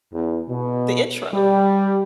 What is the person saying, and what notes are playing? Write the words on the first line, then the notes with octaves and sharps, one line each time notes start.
the intro.
E2
B2
G3